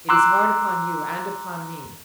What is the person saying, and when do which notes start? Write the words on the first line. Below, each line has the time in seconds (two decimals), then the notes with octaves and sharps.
It is hard upon you,--and upon me.
0.09 A#5 C6 D6 E6 F#6